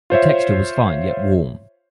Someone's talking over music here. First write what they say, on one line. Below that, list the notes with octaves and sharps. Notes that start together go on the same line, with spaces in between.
The texture was fine yet warm.
F4 C5 C#5 E5